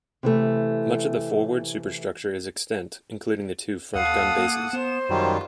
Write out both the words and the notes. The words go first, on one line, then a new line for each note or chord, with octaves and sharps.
Much of the forward superstructure is extant, including the two front gun bases.
C3 E3 A3
D#2 A4 F5 F#5 D#6
A#3
B3 C5 E7
F#2 D#3 F#3 G3 F4